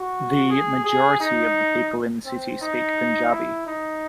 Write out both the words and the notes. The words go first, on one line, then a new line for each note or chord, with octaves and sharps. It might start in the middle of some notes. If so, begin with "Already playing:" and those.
The majority of the people in the city speak Punjabi.
Already playing: F#4
G#4
G#4
D#4
C4
D#4
E4
D#4